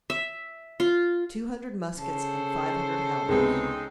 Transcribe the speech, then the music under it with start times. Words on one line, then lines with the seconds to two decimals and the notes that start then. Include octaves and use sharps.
"Two hundred muskets and five hundred halberds."
0.10 E5
0.80 F4
1.99 C#3 A4 C5 A5
3.29 C#2 C3 G#3 B3 C4 D#4